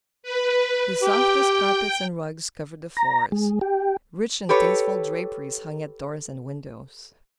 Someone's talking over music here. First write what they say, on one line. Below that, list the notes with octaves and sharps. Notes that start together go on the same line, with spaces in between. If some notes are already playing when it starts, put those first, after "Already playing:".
The softest carpets and rugs covered the floors; rich and tasteful draperies hung at doors and windows.
B4
G4 G5
A#5
G#3
G4
G4 A4 B4 C#5